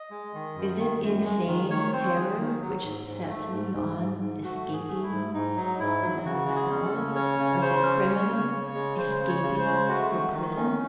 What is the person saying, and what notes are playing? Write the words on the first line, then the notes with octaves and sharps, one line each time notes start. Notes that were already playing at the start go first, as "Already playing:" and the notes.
Is it insane terror which sets me on escaping from the hotel like a criminal escaping from prison?
Already playing: D#5
G#3
D#3
F#2
D#3
F#2
G#3
D#3
D#3 C#5
C4 C5
D#3 G#4
D#3
F#3
G#2
G#2
A3
G#2
G#2
G#2
G#2
A3 F#4
G#2
G#4
A3
E4
G#2
G#2 D#4
F#3
G#2 E4
F#3
C#3 F#4
G#3 F#4
G#4
C#4
A4
C#3
C#4 C#5
C#3
C#3 C5
C#4
C#4 C#5
C#3
C#5
C#3
C#5
G#3
C#3 C5
C#3
C#5
C#3
C5
G#3
A3 F#4
D#3 F#4
D#3 D#4
C#4 D#4